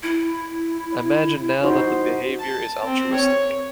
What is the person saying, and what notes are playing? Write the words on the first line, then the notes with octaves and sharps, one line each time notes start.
Imagine now that the behavior is altruistic.
E4
D#4 F#4 C5
A5
C4
C#5